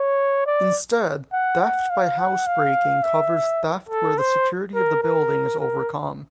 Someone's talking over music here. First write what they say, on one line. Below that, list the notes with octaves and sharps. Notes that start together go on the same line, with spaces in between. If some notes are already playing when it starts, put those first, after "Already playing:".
Instead theft by housebreaking covers theft where the security of the building is overcome.
Already playing: C#5
D5
F#5
F#5
F5
F#5
F5
E5
A4
C5
A#4
A#4
A#4